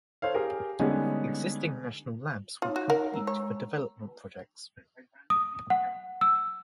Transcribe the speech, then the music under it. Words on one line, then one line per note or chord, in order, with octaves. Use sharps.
Existing national labs would compete for development projects.
A4 C5 C#5 F5
G4 G#4 A#4
D3 G3 G#3 B3 C#4 D#4
D#4 F4 C#5
F#4
A#4 F#5
G#3 A#5 E6
C#5
D#6
F#5
E6